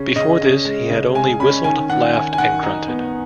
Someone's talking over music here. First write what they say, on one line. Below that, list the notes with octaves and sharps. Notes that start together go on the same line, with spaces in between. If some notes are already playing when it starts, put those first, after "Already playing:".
Before this he had only whistled, laughed, and grunted.
Already playing: C#3 C#4
C#3 D#5
C#4
G#3
C#3
G#3 G#5
C#4 B5
D#3 G#5
D#3 F#5
D#3 G#5
G#5
D#3 F#5
D#4
B3